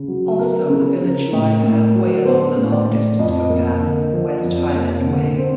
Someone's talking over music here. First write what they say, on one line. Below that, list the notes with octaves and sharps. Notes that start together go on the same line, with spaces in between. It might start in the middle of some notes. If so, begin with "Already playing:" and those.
Also the village lies halfway along the long distance footpath, the West Highland Way.
Already playing: C#3
F#3
B3 A#4
C#3
C#3
A2
A2
F#3
B3 C5
A2
D5
A2
F2 D#5
A#3
D3
F3
F2
A#3
D3
C4